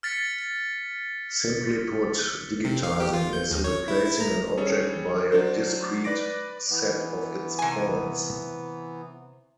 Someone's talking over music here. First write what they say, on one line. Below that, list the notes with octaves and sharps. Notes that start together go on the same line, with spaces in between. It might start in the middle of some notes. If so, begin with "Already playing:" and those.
Simply put, digitizing is replacing an object by a discrete set of its points.
F6 A6 B6 C#7
C3
F5
G4
F4
G6
D#2
C#5
E4
E4
A#5
G3 C#4 G#4 A4 C#5
F#3 D4 C5
B4 D5 D6 A#6 D7
E3 B3
C3 G#5